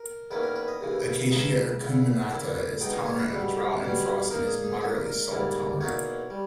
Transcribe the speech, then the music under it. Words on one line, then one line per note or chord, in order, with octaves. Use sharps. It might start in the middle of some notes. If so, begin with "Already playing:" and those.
"Acacia acuminata" is tolerant of drought and frosts and is moderately salt tolerant.
Already playing: A#4
E2 D#3 A#3 C#4 B4
A#4
B4
D#5
D#2 C#3 E3
C#2 C#3 E3 G#3 D#4
E2 C#3 E3 E5
A#1 A#2 A#3 E4 E5
B1 B2 G#3 D#4 G5
D#5
C#5
B4
C#2 B2 G3
B1 B2 G3 C#4
A#2 A#3 D#4 A#4
G#4
G#4
A#2 G#3 D#4 G#4
A#4
G#2 G3 A#3 E4
E2 B2 A#3 D#4 C#5
G3